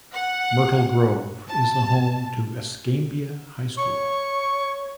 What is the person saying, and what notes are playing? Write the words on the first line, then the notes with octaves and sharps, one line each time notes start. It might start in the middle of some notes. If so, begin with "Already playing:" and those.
Myrtle Grove is the home to Escambia High School.
F#5
A5
C#5 C#6